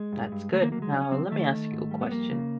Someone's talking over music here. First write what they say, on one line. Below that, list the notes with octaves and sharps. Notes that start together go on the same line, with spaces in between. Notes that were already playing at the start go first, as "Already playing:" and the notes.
That's good, now let me ask you a question.
Already playing: G#3
G2
G2
D2 A3
A#3
F#3 A#3
G#3
C#3 D4
C#4
F#3 C4
D#3 A3
D#3
G#2
G3
B3
F2 A#3
C#3